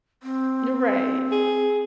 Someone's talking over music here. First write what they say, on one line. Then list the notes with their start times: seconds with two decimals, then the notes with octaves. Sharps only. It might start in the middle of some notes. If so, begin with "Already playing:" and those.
You're right.
0.23 C4
1.32 G#4